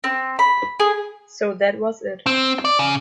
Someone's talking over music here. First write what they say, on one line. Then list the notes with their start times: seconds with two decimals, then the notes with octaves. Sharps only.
So that was it.
0.04 C4
0.39 B5
0.80 G#4
2.26 C4
2.65 D5
2.79 C#3